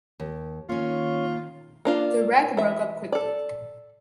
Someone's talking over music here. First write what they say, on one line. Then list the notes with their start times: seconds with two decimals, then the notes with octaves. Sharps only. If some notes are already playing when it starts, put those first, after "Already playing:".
The wreck broke up quickly.
0.20 D#2
0.69 D#3 A#3 C#4 F4 C#5
1.85 A#3 D4 F4
2.57 E3 E5
3.12 A4 D5